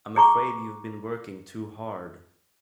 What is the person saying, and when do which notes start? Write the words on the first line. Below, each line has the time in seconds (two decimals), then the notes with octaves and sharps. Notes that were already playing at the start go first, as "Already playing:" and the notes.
I’m afraid you’ve been working too hard.
0.16 G#4 A#5 C#6 D6